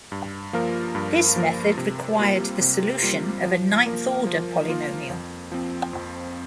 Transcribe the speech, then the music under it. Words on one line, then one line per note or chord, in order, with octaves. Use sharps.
This method required the solution of a ninth order polynomial.
G2
F3 A#3 F4 A#4
G2
F3 A#3 F4 A#4
C3
G3 A#3 F4
C3
G3 A#3 F4
F3
A#3 F4 A#4
F3
A#3 F4 A#4
F2
F3 C4
F2